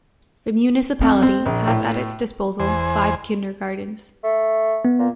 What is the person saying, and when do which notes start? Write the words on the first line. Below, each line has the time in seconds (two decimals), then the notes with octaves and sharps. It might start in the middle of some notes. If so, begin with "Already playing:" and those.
The municipality has at its disposal five kindergartens.
1.01 F2
1.22 C4
1.46 A#1
1.67 A2
2.60 E2 C5 G#5
4.23 A3
4.85 B3
4.99 A#2